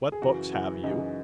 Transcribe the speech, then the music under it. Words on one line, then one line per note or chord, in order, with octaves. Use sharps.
"What books have you?"
G#4
F#2 C#3 E3 F#4
F#2 C#3 E3
F#2 C#3 E3 D#4